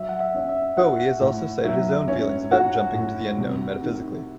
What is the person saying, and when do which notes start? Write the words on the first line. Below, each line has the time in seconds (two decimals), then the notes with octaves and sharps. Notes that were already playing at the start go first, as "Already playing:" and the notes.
Bowie has also cited his own feelings about jumping into the unknown metaphysically.
Already playing: F#3 E5
0.09 F#5
0.21 E5
0.34 C#4
0.49 E5
0.77 F#4 F#5
1.21 A2
1.65 F#3 E5
2.08 C#4
2.51 F#4 F#5
2.94 A2
3.38 C3
3.81 D#3